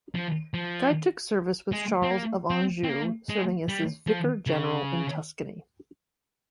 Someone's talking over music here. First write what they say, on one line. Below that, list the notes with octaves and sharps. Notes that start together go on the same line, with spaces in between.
Guy took service with Charles of Anjou, serving as his Vicar-General in Tuscany.
F3
F3
G#3
C4
A#3
C4
C4
A#3
G#3
G3
F3
C#3